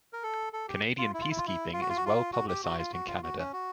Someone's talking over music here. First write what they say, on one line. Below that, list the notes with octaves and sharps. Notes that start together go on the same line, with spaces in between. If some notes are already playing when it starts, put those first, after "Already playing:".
Canadian peacekeeping is well publicised in Canada.
A#4
A4
A4
G4
F4
E4
F4
E4
F4
E4
F4
F#4
F4
F#4
F4
F#4
G4
F#4
F4
F#4
F4
F#4
C#4
F#4